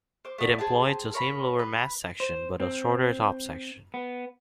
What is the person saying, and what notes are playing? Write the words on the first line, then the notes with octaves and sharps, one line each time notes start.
It employed the same lower mast section, but a shorter top section.
C5 D6
A3 B3 D5
G#4 C5 G5 A5
A#4 C#5 A#5 B5
B4
C5
C4
B3